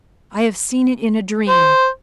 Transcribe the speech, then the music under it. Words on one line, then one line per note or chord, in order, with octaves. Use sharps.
I have seen it in a dream.
C5